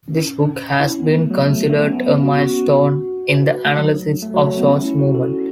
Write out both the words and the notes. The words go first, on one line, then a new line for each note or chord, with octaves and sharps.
This book has been considered a milestone in the analysis of social movements.
C#4
E4
C#4
B3
A3
F#3
A3
A3
C#4
B3
C#4
F#4
F#4
B4
B4
A3
F#3
A3
F#3
A3
B3
C#4
E4
F#4
A4